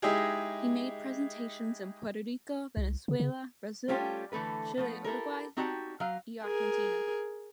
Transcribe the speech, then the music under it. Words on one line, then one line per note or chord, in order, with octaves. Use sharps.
He made presentations in Puerto Rico, Venezuela, Brasil, Chile Uruguay y Argentina.
G#3 D#4 E4 G4 G#4
C2
C#3
C#3
G3 A3 C#4 F4 G4
D3 E3 A3 A4 B4
F3 A3 B3
E4 G4 A4 A#4
C4 D#4 F#4 G4 D5 A5
F#3 F5
G#4 A#4